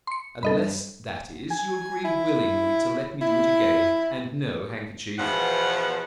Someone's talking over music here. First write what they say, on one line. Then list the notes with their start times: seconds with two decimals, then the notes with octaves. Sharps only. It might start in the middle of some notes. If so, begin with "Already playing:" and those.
"Unless, that is, you agree willingly to let me do it again, and no handkerchief."
0.07 C6 C#7
0.43 G2 A4 D#5 B5
1.50 G#5
2.04 E4
3.21 E4
5.19 E2 B2 F3 C5 F#5